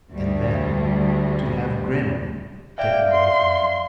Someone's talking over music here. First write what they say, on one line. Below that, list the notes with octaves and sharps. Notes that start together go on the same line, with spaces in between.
And then--to have Grimm taken away from you!
D2 G3
D5 E5 F5 G5
C6